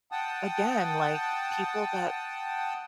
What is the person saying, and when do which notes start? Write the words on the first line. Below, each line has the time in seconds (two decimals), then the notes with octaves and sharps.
Again, like, people that
0.12 F#5 G5 A5 D#6